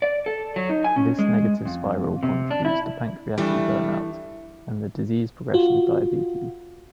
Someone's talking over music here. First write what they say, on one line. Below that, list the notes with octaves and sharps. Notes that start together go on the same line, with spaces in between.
This negative spiral contributes to pancreatic burnout, and the disease progression of diabetes.
D5
A4
F#3
D#4
G#5
C#4
G#3
F2
C3
D4
E4
E3 G3 A3 D4
F4 F#4